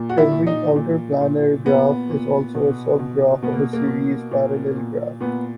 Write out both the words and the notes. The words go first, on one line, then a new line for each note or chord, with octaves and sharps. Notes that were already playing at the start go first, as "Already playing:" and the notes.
Every outerplanar graph is also a subgraph of a series-parallel graph.
Already playing: A#2
F#4
E4
A#2
D#4
A#2
A#2
A#2 B3
A#2
B2
B2
B2 B3
A#3
A#3
B2
A#2
A#2
A#2 B3